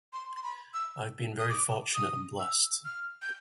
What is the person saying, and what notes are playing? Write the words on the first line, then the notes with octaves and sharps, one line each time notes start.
I've been very fortunate and blessed.
C6
C6
B5
E6
D#6
D6
D#6
E6
F6
G6